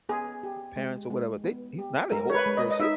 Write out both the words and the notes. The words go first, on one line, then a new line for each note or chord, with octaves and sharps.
parents or whatever, they He's not an old person,
B3 G#4
G4
G#3
G#3
B3
G4
G#3 A#4
C#5
B4
G#3
D#5
D#5
D#4 E5